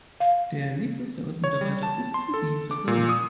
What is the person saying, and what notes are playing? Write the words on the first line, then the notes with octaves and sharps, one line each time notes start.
Der nächste Service-Mitarbeiter ist für Sie reserviert.
F5
C#5
G3
A5
C6
A4
D6
A#2
D#6